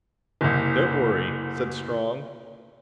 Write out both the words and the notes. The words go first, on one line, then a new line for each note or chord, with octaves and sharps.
"Don't worry," said Strong.
F#1 C2